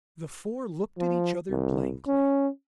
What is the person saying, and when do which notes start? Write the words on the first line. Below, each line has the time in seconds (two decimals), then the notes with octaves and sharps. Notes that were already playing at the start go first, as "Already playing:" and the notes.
The four looked at each other blankly.
0.98 F3
1.50 C2
2.07 C#4